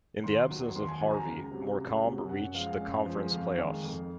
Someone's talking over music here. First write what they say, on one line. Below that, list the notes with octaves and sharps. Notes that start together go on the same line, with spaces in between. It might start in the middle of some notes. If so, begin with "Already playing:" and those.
In the absence of Harvey, Morecambe reached the Conference play-offs.
D#2 C6
D#3 F#3
D#2 C6
G#5
D#3 F#3 G#5
A#5
C#2
C3 F#3
C#2
C3 F#3
F#2 F#5
F3 G#3 F5
F#2
F3 G#3
F2 F5
D#3 G#3
F2